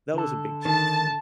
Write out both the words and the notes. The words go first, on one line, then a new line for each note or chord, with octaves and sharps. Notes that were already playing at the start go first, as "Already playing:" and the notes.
that was a big change for me.
D3 A4
D#3 A5